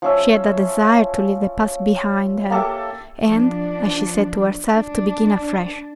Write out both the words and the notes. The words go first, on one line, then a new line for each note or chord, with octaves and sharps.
She had a desire to leave the past behind her and, as she said to herself, to begin afresh.
F3 C#4 E5
A#3 G4 A4 E5
F3 D4
D4